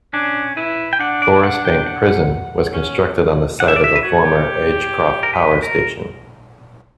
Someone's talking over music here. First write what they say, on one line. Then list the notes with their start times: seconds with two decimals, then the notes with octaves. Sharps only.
Forest Bank Prison was constructed on the site of the former Agecroft Power Station.
0.13 C#4 D4
0.56 E4 B4
0.93 G5
1.00 D4 F#5
1.22 D5
1.44 F#5
1.65 G5
1.86 F#5
2.74 C#4
3.60 D4 F#5
3.68 E5
3.76 D5
3.81 E4 E5
3.96 B4
4.03 F#4 C#5
4.25 G4
5.23 A#4
5.33 B4
5.62 A#4